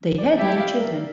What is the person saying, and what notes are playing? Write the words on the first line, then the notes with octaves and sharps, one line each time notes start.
They had many children.
D5
A3 E4 G4 E5
F5
A#4